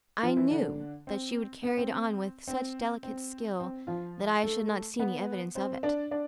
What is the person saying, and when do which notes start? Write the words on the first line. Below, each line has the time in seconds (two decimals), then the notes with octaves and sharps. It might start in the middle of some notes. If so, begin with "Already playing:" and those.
I knew that she would carry it on with such delicate skill that I should not see any evidence of it.
0.23 F3 F4
0.37 E3 E4
0.51 D3 D4
1.07 C4
1.63 B3
1.77 C4
2.48 C4
3.03 C4
3.60 C4
3.87 F3 F4
4.44 A3 A4
4.99 B3 B4
5.55 C4 C5
5.83 D4 D5
6.11 D4 D5